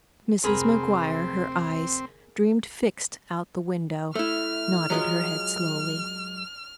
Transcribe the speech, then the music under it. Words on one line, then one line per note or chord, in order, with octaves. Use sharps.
Mrs. McGuire, her eyes dreamily fixed out the window, nodded her head slowly.
F1 D2 C4 G#4 A#4 B5
A3 E4 F6
F#3 G#3 F4